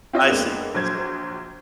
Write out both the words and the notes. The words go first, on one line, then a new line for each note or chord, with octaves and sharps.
I see, I see.
C4 E4 F4 C#5 D#5
F2 G#3 A#3 B3 D4
A#1 F#3 C5 G#6